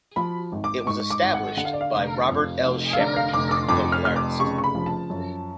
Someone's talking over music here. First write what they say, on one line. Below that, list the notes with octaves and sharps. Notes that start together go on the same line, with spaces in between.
It was established by Robert L. Shepherd, local artist.
F3 B5
G#1
D6
G#2 C#6
D6
G#1
F#5
D3 F#5
F5
D5
F5
F1
F2
F1
F5
D3 D5
F5
F1 D6
D6
F2 D6
F6
F1 F6
D6
C#3 C#6
C#6
B5
F3
A5
F#2